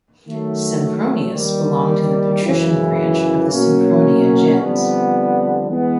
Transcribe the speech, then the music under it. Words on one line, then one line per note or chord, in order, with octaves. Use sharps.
Sempronius belonged to the patrician branch of the Sempronia gens.
D#3 F#3 A3
D#2 D#3 G3
F#2 C#3 E3 G#3
B2 F#3 A#3 C#4
F2 D3 G3 B3
E3 G#3 B3